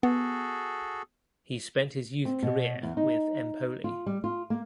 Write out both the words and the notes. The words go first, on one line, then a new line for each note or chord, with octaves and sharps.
He spent his youth career with Empoli.
B3 F#4 G#4 A4
C4
B2
E2
D#4
F4
G3
F4
A#3